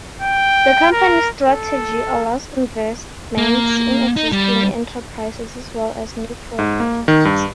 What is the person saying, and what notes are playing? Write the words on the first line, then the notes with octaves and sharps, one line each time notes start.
The company's strategy allows investments in existing enterprises as well as new projects.
G5
A#4
A4
A#3
D#4
G3
G#2
A#3
D#3
G2